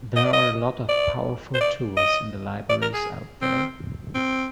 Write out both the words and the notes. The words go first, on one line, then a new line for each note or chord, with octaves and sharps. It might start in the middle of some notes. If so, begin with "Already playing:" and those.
There are a lot of powerful tools and libraries out there.
D#5
D5
D#5
D5
C5
D5
D#5
D5
A#4
G#4
C4
C4